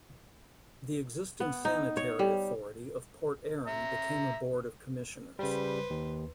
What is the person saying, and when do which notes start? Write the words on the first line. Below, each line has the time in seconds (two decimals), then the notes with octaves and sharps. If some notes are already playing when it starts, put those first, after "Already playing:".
The existing sanitary authority of Port Erin became a board of Commissioners.
1.40 B3
1.65 D#4
1.97 C#5
2.19 G3
3.67 E5 A#5
5.39 C#3 G3 B4 C5
5.90 D#2